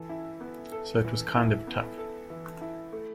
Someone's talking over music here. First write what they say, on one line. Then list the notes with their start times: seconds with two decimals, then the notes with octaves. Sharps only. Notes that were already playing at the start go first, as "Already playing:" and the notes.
So it was kind of tough.
Already playing: E3 A4
0.09 E4
0.41 B3
0.72 A4
1.05 E3
1.35 E4
1.67 B3
1.98 A4
2.30 E3
2.61 E4
2.93 A3